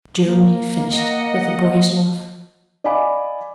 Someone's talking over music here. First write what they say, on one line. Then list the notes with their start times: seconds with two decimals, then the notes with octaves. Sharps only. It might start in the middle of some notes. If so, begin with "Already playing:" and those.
"June," he finished with a boyish laugh.
0.24 A#3
0.91 D#5 F#5
2.84 D5 D#5 F5 G#5 B5 D6